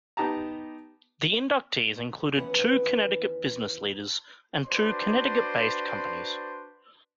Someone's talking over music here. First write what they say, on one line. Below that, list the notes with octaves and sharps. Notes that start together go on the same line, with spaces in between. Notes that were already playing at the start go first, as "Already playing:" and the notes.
The inductees included two Connecticut business leaders and two Connecticut-based companies.
B3 D#4 G4 A5 A#5
D#2 E3 B3 C#4 B4 F#5
D4 F#4 B4 C5 D5 C6